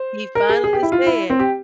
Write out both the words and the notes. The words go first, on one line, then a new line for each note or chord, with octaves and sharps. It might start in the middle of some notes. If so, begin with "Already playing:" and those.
He finally said,
Already playing: C5
A#4
G#4
G#4
G4
E4
F4
E4
C4
G4